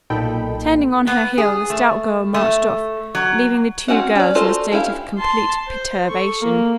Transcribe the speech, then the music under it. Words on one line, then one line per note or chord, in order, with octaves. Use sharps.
Turning on her heel, the stout girl marched off, leaving the two girls in a state of complete perturbation.
B1 A#2 D#4 A4 G5 B5
B3
G#4
A3
A3
F#3
C4 C#4 F#4 F#5
C#4 D5
F4 F#4 A4 C5
C#4 E4 G4 F5
A5 C6
C5
A4 C#6
A#3